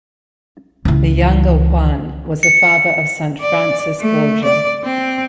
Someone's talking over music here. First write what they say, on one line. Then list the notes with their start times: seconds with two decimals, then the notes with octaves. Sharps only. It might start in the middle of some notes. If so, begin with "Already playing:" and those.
The younger Juan was the father of Saint Francis Borgia.
0.85 C#2 E3
2.43 C#7
3.41 D5
4.00 A3
4.44 D5
4.84 C4